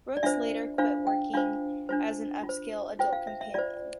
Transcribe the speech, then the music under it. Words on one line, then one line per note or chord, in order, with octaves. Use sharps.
Brooks later quit working as an upscale adult companion.
D5
D4 F4 C5 E5
D4 F4 C5 F5
G5
D4 F4 C5 F5
D4 F4 C5
F4
C5
F4 C5 G5
F5
E5
E5
F4 C5 D5